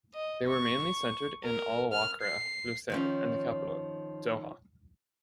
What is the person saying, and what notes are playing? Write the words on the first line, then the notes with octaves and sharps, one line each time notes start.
They were mainly centered in Al Wakrah, Lusail and the capital Doha.
D#5
C#6
A#4
F6
C7
D#3 F3 C#4